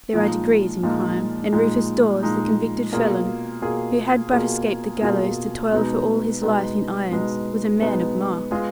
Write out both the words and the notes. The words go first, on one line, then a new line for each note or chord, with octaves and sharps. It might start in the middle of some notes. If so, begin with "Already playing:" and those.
There are degrees in crime, and Rufus Dawes, the convicted felon, who had but escaped the gallows to toil for all his life in irons, was a man of mark.
A#2 F3 G#3 D#4
A#2 F3 G#3 D#4
A#2 F3 G#3 D#4
A#2 F3 G#3 D#4
B2 A#3 F4 G#4
B2 A#3 F4 G#4
B2 A#3 F4 G#4
B2 A#3 F4 G#4
B2 G#3 B3 D#4
B2 G#3 B3 D#4
B2 G#3 B3 D#4
B2 G#3 B3 D#4
G#3 B3 F4 G#4